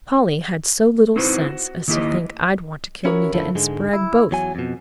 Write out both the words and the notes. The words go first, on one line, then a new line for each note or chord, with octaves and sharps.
Polly had so little sense as to think I'd want to kill Nita and Sprague both!
C4 D#4 E4 F#4 B4 C5
F#4
D#3 A#3 E4 G4 D#5
C#4 E4 F#4 A#4 C#5
F#2 D3 F3 A3 E4
G#2 D3 G#3
E4
E2 F#3 G#5
F2 B2